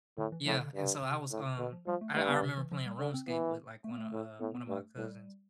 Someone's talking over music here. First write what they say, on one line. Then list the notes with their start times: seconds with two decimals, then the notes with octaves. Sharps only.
Yeah, and so I was, um I I remember playing RuneScape with, like, one a, uh one of my cousins,
0.18 A2 D3
0.32 E3
0.46 A2 F3
0.60 D3
0.75 G2
1.03 C3
1.31 A2
1.58 B2 D3
1.73 F3
1.87 F3 G3
2.01 A3
2.15 G2 A3
2.29 B3
2.43 C3
2.58 E3
2.71 F3
2.86 G3
2.99 D3
3.14 C4
3.27 E3 B3
3.84 A3
3.91 B3
3.98 A3
4.13 A2
4.40 A2 B3
4.55 B3
4.69 G2 A3
4.97 A2 G3